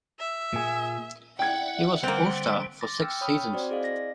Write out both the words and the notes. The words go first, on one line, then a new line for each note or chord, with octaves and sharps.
He was an All-Star for six seasons.
E5
A#2 G#4
E4 D5 E5 F#5 G5 G#6
D3 G3 A#3 C4 F7
C6 D6 A6 A#6
G5 E6 F6
C#5 G5 B5 D#6 F6
C4 F#4 C5 D5
E4 G#4 D5 D#5 F5
A#6